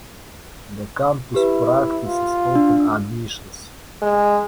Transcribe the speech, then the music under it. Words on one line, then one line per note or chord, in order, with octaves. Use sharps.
The campus practices open admissions.
E4 G4 B4
F4
D4
G#3